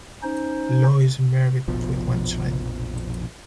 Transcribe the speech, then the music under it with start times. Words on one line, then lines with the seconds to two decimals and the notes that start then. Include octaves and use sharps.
Loh is married with one child.
0.23 C#4 D#4 C5
1.68 F1 A#1 B2 F3